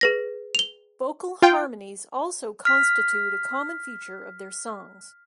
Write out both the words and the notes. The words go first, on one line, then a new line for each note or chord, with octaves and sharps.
Vocal harmonies also constitute a common feature of their songs.
G#4 B4 A#6
F7 G7
F4 G5
F6 B6